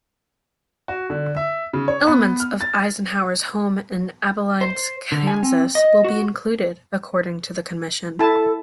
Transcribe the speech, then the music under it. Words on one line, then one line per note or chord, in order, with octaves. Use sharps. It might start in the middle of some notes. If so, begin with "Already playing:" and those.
Elements of Eisenhower's home in Abilene, Kansas will be included, according to the commission.
F#4
D3
E5
C#3
C#5
B3
F6
A6
C5
D3
G#5
C4
D#5
F#4
E4 A4 A5